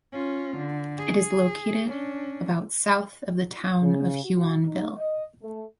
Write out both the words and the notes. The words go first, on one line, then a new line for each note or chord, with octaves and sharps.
It is located about south of the town of Huonville.
C#4 F4
D3
G#4
C#4 D4
C#3
F#4
D#4
D#5
A3